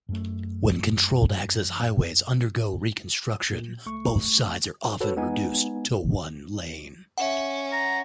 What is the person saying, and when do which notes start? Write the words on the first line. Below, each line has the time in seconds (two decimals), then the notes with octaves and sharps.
When controlled-access highways undergo reconstruction, both sides are often reduced to one lane.
0.09 F#2 A3
3.52 A#2
3.86 C2 A3 C#6
5.00 F#4 A4 B4 C#5
5.16 G#3 B3 D#4 G#5
7.18 C#4 E5 F#5
7.73 A#5